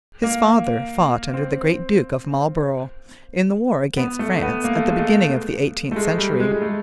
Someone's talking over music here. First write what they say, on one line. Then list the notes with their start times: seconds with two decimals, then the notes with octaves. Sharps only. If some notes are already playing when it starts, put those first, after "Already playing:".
His father fought under the great Duke of Marlborough in the war against France at the beginning of the eighteenth century.
0.23 A#3
1.34 C4
3.97 B3
4.19 A3
4.42 B3
4.64 A#3
4.75 A3
4.88 G#3
4.99 A3
5.91 A3
5.96 G#3
6.18 G3
6.40 G#3
6.51 G#3
6.62 A3